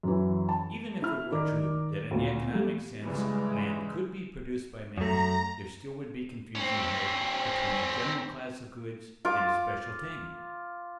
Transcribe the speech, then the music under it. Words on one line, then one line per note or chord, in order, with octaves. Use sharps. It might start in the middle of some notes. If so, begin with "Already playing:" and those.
Even if it were true that in the economic sense land could be produced by man, there still would be confusion here between a general class of goods and a special thing.
F#2 E3
A5
E4 F6
D#3 A#4 D5 D6
D2 A#2
G3 A3
C#3 E3 G3 G#3
F#2 A3 A#5
C4 C#4
F4 D6